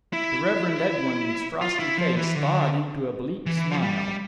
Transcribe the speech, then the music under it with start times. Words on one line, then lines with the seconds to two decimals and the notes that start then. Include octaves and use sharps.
The Reverend Edwin's frosty face thawed into a bleak smile.
0.13 E4
1.61 F4
1.79 E4
1.98 F3
2.16 E3
2.35 D3
3.46 E3
3.72 F3
3.82 G3